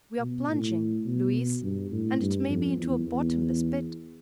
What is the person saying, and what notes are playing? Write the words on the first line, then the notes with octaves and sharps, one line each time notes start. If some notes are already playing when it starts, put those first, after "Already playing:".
"We're plunging, Louise; and it may be into a bottomless pit."
B2
A2
B2
G2
A2
G2
F2
E2
E2